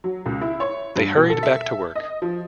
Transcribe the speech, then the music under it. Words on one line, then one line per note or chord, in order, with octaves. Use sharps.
They hurried back to work.
F#3
C#2
E4
C#5
G2
B2
A4
E5
D#5
F3